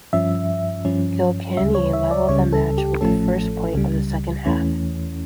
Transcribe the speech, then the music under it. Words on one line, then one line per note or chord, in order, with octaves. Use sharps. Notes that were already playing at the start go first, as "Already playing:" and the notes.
Kilkenny leveled the match with the first point of the second half.
G2 F3 C#4 E5
G2 F3 C#4
D2 C#3 G3 E5
C#5
E5
D5
C#2 C#3 G3 C#4 C#5
A4
G4
A1 A2 F3 A3 C#4 A4
C#2 C#3 G3
E2 E3 A3 C#4